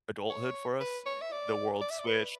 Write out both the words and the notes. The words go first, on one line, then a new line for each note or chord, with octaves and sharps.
adulthood for us, eh, the world switched.
C#5
B4
C#5
E5
D5
D5
E5
D5
B4